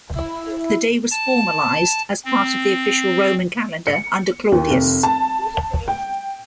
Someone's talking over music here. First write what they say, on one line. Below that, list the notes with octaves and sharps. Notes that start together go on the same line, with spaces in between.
The day was formalized as part of the official Roman calendar under Claudius.
E4
A5
C4
C#7
D#2
F1
A5
G5